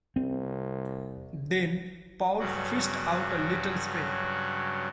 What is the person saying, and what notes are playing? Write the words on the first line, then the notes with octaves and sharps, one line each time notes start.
Then Paul fished out a little spray.
C2 C4
G2 C#3 F#3 F#4